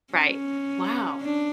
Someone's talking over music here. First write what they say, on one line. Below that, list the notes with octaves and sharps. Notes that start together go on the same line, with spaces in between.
Right, wow.
C#4
D4